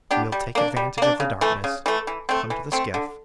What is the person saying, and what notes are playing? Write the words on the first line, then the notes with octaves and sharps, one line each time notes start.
We'll take advantage of the darkness. Come to the skiff.
B3 D4 G4
G3
A#3 D4
G3
A#3 D4
C#3
E3 A3
C#3
E3 A3
E3
A3 C4
E3
A3 C4
D3